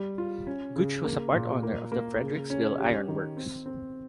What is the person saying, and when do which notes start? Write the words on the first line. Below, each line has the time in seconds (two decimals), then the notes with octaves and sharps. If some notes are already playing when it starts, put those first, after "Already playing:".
Gooch was a part owner of the Fredericksville Ironworks.
Already playing: G3
0.18 F4
0.47 C#4
0.76 C#3
1.04 A#3
1.33 A#2
1.63 A#3
1.92 A#3
2.21 C#3
2.50 C#4
2.79 G4
3.08 D#3
3.37 C4
3.66 C4